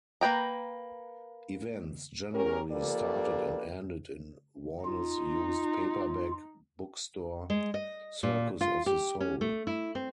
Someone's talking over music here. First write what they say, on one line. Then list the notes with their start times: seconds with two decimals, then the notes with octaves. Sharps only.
Events generally started and ended in Warne's used paperback bookstore, "Circus of the Soul".
0.21 A#3 B4 G5 A#5
2.34 C#4 G4 A#4
2.71 F3 A#3 G4 A4 B4 D5
4.85 D#4 F4
7.50 G#3
7.74 D#5
8.23 A#2
8.61 F4
8.86 G4
9.20 C#4
9.41 A3
9.67 E4
9.95 C4